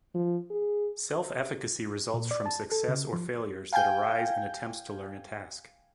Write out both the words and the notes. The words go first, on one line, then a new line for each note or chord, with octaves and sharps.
Self-efficacy results from success or failures that arise in attempts to learn a task.
F3
G#4
A#2
D5
A5
A4
C#3
F3
F5 G5 G#5 G6